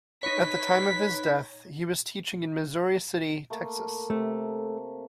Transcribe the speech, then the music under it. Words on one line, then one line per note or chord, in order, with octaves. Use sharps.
At the time of his death, he was teaching in Missouri City, Texas.
D#4 B4 C#5 B6
A3 A#3
C3 A3